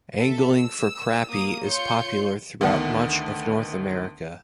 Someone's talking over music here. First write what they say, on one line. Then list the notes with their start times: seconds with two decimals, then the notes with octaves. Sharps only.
Angling for crappie is popular throughout much of North America.
0.19 A4 E5
0.56 E6
1.30 A#3 D#6
1.66 F4 C#5 C6 G6 C#7
2.61 D2 D#3 B3 F#5 A5 C#7